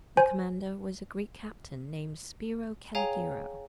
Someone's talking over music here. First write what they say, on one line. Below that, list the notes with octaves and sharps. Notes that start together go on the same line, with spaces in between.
The commander was a Greek captain named Spiro Calligero.
C5 G#5
G#4 C#5 F5 G5 G#5 A#5